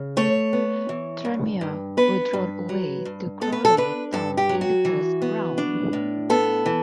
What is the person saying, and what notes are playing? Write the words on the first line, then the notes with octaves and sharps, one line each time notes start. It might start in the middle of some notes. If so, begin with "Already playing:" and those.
Tranmere were drawn away to Crawley Town in the first round.
Already playing: C#3
A3 C#5
B3
E3
G2
G2
B3 B4
G2
F#3
G2
B3 A4
B4
A4
D4 B4
G2 A4
G4
F#3
F#4
E3
B3
D4
A2
B3 A4
E3